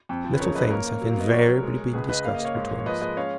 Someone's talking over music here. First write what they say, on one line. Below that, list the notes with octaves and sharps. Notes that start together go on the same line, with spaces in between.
Little things have invariably been discussed between us.
F2
F3
B4
C#3 A#4 C#5
F#1 B4 D#5
A#3 A#4 C#5
A#3
F#3
F5
B3 D#5
A#1 A#4 C#5
F#3
G#3
G#3
C#2 G#4 B4
C#3 B4 D#5
A#3 F5
D#5
A#3 C#5 F5
G#2
A#3
C#5
F3 B4 D#5
G#3 B4 D#5
C#4 C#5 F5